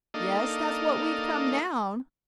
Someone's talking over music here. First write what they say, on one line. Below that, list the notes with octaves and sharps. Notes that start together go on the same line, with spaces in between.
"Yes; that's what we've come down."
A#3 D4 D#4 A4 D#5 F5